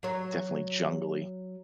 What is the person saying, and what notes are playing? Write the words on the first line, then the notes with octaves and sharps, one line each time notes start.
definitely jungly.
F#3 C#5